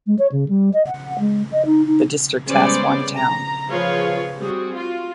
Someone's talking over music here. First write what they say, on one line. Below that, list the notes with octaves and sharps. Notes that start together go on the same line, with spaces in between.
The district has one town.
G#3
C#5
C#3
G3
D#5
F#5
G#3
D#5
D#4
D#4
G3 G#3 B3 C#4 C5 D5
A#5
F3 F4 G#4 B4 C#5 F5
G3 C4 F#4 G#4
F4 F#4